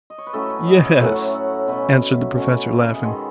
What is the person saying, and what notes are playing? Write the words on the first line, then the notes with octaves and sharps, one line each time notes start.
"Yes," answered the Professor laughing.
D#5
C#5
B4
A2 F#3 A3 C#4 A4
C#5
D#5
E5
A2 F#3 A3 C#4 F#5
E5
B2 A3 C#4 B4
B2 A3 C#4
G#4
D#3 G#3 B3 A4